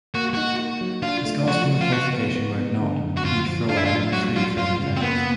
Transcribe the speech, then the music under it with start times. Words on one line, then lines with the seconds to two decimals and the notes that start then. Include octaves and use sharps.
The scores from the qualification were ignored, each thrower having three fresh attempts.
0.14 A#3 F#4
0.34 D#4 F#4
0.59 A#3
0.81 F#3
1.03 D4 F4
1.25 A3
1.48 F3 F#4
1.70 F3
1.81 F4
1.92 B3 F#4
2.14 B3
2.36 B3
2.59 B3
2.80 D3
3.03 F#2
3.17 F#4
3.24 F#2 F4
3.46 F3
3.69 D4 F4
3.77 E4
3.85 F4
3.91 A2
4.13 F#3 F#4
4.35 F#3 F4
4.57 F#2 F4
4.80 C#3
4.96 C4
5.02 A#3 B3